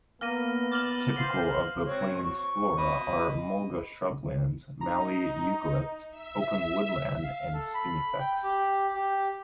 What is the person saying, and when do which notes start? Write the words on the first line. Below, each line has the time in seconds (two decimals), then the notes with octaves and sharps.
Typical of the plains flora are mulga shrub-lands, mallee eucalypt, open woodland and spinifex.
0.21 A#3 B3 F6 A#6 D#7
0.71 D6 F6 A6 F#7
1.16 C5 F5 C6
1.87 C4 F#4 C#5
2.15 C#6
2.78 D#5 B5
4.81 D#4 A#5
6.11 E5
7.23 F5
7.54 A4
7.74 B5
8.20 G5
8.44 G4
8.95 G4